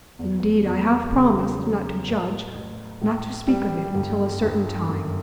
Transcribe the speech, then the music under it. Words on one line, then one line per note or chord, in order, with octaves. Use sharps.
Indeed, I have promised not to judge, not to speak of it, until a certain time.
E2
E2
C#3
F#3
A1
A1
A2
G3
G1
G1
F#2